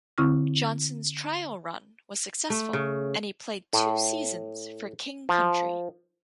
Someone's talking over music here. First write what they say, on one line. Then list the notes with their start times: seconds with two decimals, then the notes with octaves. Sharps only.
Johnson's trial run was successful and he played two seasons for King Country.
0.18 D3 C4 E4 C#6 E6 F6
2.50 A3
2.73 C#3
3.73 A2
5.29 F3